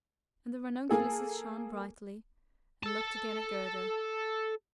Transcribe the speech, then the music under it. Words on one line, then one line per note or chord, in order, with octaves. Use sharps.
And the Ranunculus shone brightly, and looked again at Gerda.
A#3 G#4 A4
A4 A5